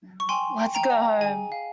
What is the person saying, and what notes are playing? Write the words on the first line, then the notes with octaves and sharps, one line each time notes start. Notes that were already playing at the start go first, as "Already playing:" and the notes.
Let's go home.
C#6
G5 G#5 C6
G5
G5 A#5
D#5
G#4 G#5
F5